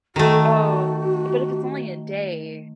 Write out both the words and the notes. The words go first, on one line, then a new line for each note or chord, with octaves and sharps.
oh, but if it's only a day.
D#3 A3 F#4